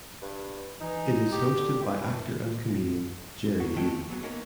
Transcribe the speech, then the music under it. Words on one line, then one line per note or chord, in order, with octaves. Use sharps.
It is hosted by actor and comedian Gerry Dee.
G2
E3 D#4
G4
D3
F#2 E3
D#3 F#4
D2 D#3 F#3 G#3 A3 G5
D#2
F#3 B3 G#4
A#3 B3 C#4 D#4 A#4